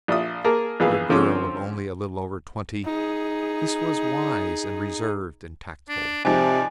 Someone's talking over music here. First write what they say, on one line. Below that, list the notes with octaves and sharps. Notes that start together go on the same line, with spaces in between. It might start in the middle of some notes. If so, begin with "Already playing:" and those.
For a girl of only a little over twenty this was wise and reserved and tactful.
A#1 D5 E5 D#6
A#3 G#4 A#4 A5
A#1 E3 B3 G#4 B4 F5
D3 F3 C4 C#4 D6
D#4 G#4
D4
G#2 C3 F3 D5 G#5